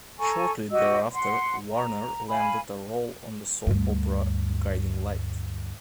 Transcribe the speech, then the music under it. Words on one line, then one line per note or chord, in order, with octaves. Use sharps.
Shortly thereafter, Warner landed a role on the soap opera "Guiding Light".
A4 G#5 A#5 C#6
F#4 G4 D#5 E6
F#5 C6
A#5
F5 G#5 B5
D2 G2